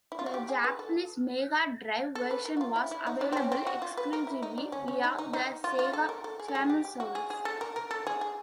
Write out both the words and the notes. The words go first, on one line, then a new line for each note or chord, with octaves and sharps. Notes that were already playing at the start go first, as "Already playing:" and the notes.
The Japanese Mega Drive version was available exclusively via the Sega Channel service.
E4
F4
F#4
G4
G#4
B4
A4
A4
B4
A#4
F#4
F4
E4
E4
D#4
D4
C4
C#4
C4
F#4
F4
B4
A#4
E4
D#4
D4
C#4
C#4
D#4
D#4
D#4
F4
F4
A4
A#4
A4
G#4
A4
G#4
G4
G4
F#4
G#4
G#4
A4
A#4
A#4
A4
G#4
G#4